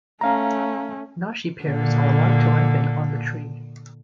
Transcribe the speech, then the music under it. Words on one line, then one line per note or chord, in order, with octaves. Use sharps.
Nashi pears are allowed to ripen on the tree.
A3 C#4 F5 A#5
A#2 D3